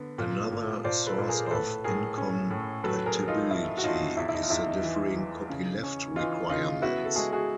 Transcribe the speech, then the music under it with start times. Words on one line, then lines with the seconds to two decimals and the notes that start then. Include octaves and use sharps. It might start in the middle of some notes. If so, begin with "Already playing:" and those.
Another source of incompatibility is the differing copyleft requirements.
Already playing: D3 B3
0.18 A#2
0.52 A#2
0.84 A#2 C5 D5
1.07 A4 B4
1.18 A#2
1.29 G#4 A#4
1.46 C5
1.51 A2 A4 B4
1.84 A2 G#4 A#4
2.18 C#4
2.50 A2
2.84 F#3 A4 B4
3.06 G#4 A#4
3.17 F#3
3.28 D#4 F4
3.51 F2 E4
3.78 F#4
3.84 F2 D#4 F4
4.17 E2 E4
4.29 E4
4.33 D#4
4.43 F4
4.50 E2 E4
4.67 D#4
4.83 E3
5.16 E3
5.49 C#3
5.83 C#4
6.16 E3 D#4 F4
6.49 C#3 D#4 F4
6.82 B3 E4 F#4
7.05 A4
7.16 G#3 F#4 G#4
7.32 F#4 G#4